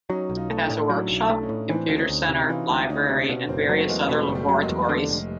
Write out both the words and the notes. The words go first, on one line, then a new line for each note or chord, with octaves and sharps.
It has a workshop, computer centre, library and various other laboratories.
F#3 C#4 D#4
B1
D#4 F4
A3
D4 E4
A2
F#3 D4 E4
B1
D4 E4
A3
C#4 D#4
A2
E3 C4 D4
D2
C#4 D#4
D2
E4 F#4
C3
F#4
E3 D#4 F4
D2
D2 C#4 D#4
C3
B2 B3 C#4
F#1 A#3 C4
C4
F#3 A3 B3
A3
E2 G#3 A#3
B2 G3 A3
F#1
G3 A3
F#3
G#3 A#3
E2
D3
F1